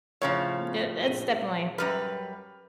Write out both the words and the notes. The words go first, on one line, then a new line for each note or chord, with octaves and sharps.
that that's definitely
A2 C#3 F3 C#5 F5
A#1 D#7 G7
F#2 G3 B4 F6